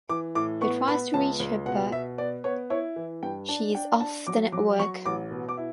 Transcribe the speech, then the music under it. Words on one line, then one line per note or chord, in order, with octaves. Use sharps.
He tries to reach her but she is off the network.
E3 D6
A2 D6
B3 C#6
B3 B5
C#2 A5
C#2
B2 F#5
B2 E5
B3 D5
B3 C#5
E4 C#5
E3
G2 G5
D4 A5
D4 G5
D4 A5
F#3 D6
F#3 D6
F#3 C#6
A1 D6
B2
D6
E4